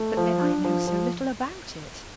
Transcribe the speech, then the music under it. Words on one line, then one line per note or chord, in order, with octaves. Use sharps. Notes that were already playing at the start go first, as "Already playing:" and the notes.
But then I know so little about it.
Already playing: A3
F3
D4
F3
F3